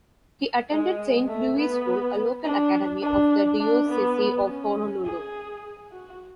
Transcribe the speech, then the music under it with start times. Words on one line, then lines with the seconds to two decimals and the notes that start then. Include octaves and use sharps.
He attended Saint Louis School, a local academy of the Diocese of Honolulu.
0.71 G#3
1.28 A3
1.57 B3
2.44 D4
3.02 D4
3.60 D4
3.89 B3
4.48 C#4
5.05 G#4
5.92 F#4